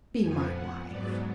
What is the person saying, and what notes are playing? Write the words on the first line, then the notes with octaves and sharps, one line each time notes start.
Be my wife.
F2 F3 B3 G#5
F#5
G#2 F#3 B3 D5